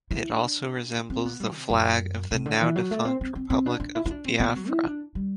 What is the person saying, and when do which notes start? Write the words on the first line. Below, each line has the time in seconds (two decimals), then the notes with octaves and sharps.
It also resembles the flag of the now-defunct Republic of Biafra.
0.11 E4
0.30 D4
1.10 C4
1.25 B3
1.40 G3
1.55 C3
1.70 F#2
2.31 C3
2.46 D3
2.61 E3
2.76 F#3
2.91 A3
3.05 C4
3.21 C4
3.35 C4
3.50 C4
3.66 D4
3.80 D4
3.95 E4
4.06 E4
4.11 D4
4.25 C4
4.40 B3
4.56 F#3
4.70 E4
4.86 D4
5.15 G3